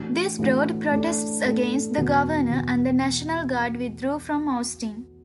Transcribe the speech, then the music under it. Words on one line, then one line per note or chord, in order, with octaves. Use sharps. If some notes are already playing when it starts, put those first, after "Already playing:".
This brought protests against the governor, and the National Guard withdrew from Austin.
Already playing: A2 E3 D4 F#4
A2 E3 D4 F#4
A2 A3 D4
A2 A3 D4
E2 B2 B3 F#4
E2 B2 B3 F#4